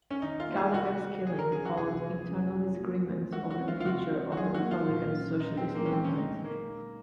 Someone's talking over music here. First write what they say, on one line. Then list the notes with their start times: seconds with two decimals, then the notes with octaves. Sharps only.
Gallagher's killing followed internal disagreements over the future of the republican socialist movement.
0.10 C#4
0.22 D#3 D#4
0.40 F4
0.48 A#3
0.57 G#4
0.74 C3 F#4
1.00 D#4
1.26 F#3 G#4
1.39 A#4
1.51 C#4 G#4
1.65 F#4
1.77 C3 G#4
2.04 C3
2.29 C#4
2.56 F4
2.81 A#3
3.07 C5
3.32 G#3 F#4
3.51 F#4
3.60 C4
3.68 F4
3.80 F4
3.85 C#3 F#4
4.11 F4
4.32 F#4
4.37 F#3 G#4
4.54 F#4
4.62 A#3
4.71 F4
4.89 A#2
5.14 C#4
5.40 C#4 D#4
5.57 C4
5.66 G#4
5.75 A#3
5.86 C#4
5.92 G#3 C4
6.04 C#4
6.17 G#3 D#4
6.43 G#3 A#3
6.70 D#4